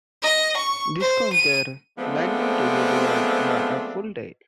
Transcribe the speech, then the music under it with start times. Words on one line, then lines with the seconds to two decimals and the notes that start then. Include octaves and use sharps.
This caused their landing to be delayed by a full day.
0.23 D#5
0.57 C#6
1.00 C5
1.33 D#7
1.99 F3 G#3 A3 B3 C4 D4